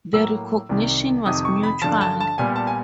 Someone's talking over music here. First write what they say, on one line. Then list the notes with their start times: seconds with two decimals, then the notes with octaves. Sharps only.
The recognition was mutual.
0.13 A2 F#3 A#3 E6
0.69 C2 C3 D#3
1.26 F2 C3 D#3 D#6
1.45 C#6
1.63 B5
1.82 G2 D3 F3 A5
2.01 A5
2.20 A5
2.38 A#2 G3 B3 G#5
2.56 A5
2.67 G#5